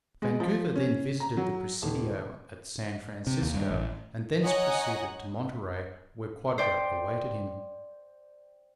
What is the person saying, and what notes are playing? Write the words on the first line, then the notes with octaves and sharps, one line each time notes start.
Vancouver then visited the presidio at San Francisco, and thence proceeded to Monterey, where Quadra awaited him.
G#3
F3
C#4
A#5
F#3
D#1
C3
D#2
G2
A1
C#5 D#5 F#5 G#5 A#5
C5 D5 G5